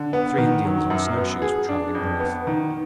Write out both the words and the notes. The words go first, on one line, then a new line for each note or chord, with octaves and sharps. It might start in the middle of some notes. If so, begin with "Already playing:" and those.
Three Indians on snow-shoes were traveling north.
Already playing: D3
B3
D#3
F#3
F#2
B3
G#4
D4
F2
B3
D#3